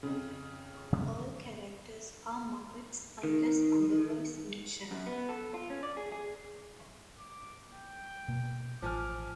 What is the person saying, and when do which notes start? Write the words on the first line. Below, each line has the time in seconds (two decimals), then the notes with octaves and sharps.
All characters are Muppets, unless otherwise mentioned.
0.03 F2 C#3
0.93 C3 F3 B3
3.23 D#3
4.91 F#2
5.06 B3
5.29 A4
5.54 F4
5.70 C#4
5.83 D5
5.97 G#4
6.12 G#4
7.20 D6
7.73 G5
8.28 B2 A#3
8.82 A1 F3 G#5 D6 F6